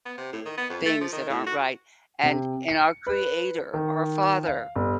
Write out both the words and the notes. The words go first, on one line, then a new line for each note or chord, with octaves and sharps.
things that aren't right, and in our Creator, our Father
B3
C3
A2
D#3
B3
F2
A3
F3
D#3
A2
F#4
C3
C#7
B4
D#3
F5
G1